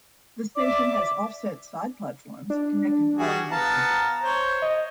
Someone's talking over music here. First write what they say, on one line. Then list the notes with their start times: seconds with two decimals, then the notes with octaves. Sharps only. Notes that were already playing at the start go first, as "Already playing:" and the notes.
The station has offset side platforms connected by a level crossing.
0.56 D5 E5 D6
2.50 D4
3.18 G3 F#4 G#4
3.51 B3 F5 A5 A#5
4.24 C5 C#5
4.62 D#5